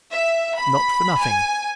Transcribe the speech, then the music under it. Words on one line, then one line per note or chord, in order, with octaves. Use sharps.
Not for nothing!
E5
B5
G#5